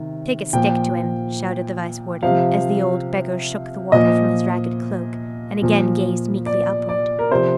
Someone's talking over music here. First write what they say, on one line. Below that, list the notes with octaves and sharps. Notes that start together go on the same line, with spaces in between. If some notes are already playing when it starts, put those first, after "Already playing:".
"Take a stick to him!" shouted the Vice-Warden, as the old Beggar shook the water from his ragged cloak, and again gazed meekly upwards.
Already playing: C3 D#3
A#2 F3 G5
C3 F3 F5
A#2 F3 D#5
A#2 F3
D5
D5
A#4
C3 F3 C5